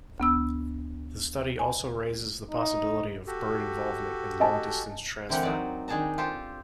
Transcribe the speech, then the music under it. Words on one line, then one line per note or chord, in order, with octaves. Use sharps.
The study also raises the possibility of bird involvement in long-distance transfer.
D2 B3 E6
G#5
D#4
F#4 G4 A4
D#5 G#5 A5
D3 E3 C4 G4 A#4 F#5
F#3 D#4 D5
D#3 D4 G#4 G5 A5 A#5
F4 G4 A4 C5